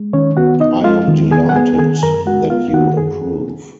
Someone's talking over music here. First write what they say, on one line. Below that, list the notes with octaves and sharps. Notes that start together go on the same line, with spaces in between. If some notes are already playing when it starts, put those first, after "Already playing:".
I am delighted that you approve.
Already playing: G#3
D#3 C#4 C#5
B3 F#4 F#5
D#4 D#5
G#3 F4 F5
D#3
B3 G#4 G#5
F#5
B3 G#4 G#5
D#3 G#4 G#5
F#2 A#4 A#5
G#3 F#4 F#5
B3 F4 F5
D#3 F#4 F#5
F#2 G#4